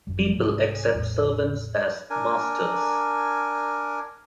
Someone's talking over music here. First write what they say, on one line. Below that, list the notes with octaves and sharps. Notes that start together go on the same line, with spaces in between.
People accept servants as masters.
G1 F#2 G3
C2 G#2 F3 A3
A1 E2 A2 G#3
D4 A#4 G#5